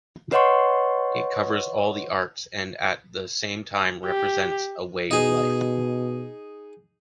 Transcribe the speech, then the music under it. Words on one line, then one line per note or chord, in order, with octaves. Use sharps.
It covers all the arts and at the same time represents a way of life.
B4 C#5 D#5 F#5 C6 C#6
G4
B2 D#4 G#4